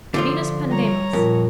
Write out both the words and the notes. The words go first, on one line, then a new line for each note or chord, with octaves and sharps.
Venus Pandemos.
D3 F3 F4
G3 C#5 A#5
F2 A#2 F4 A#4